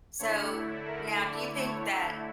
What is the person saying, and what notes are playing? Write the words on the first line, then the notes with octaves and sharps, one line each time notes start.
So, now, do you think that
D3 A3 E4 C#5
A#4
D5
C#5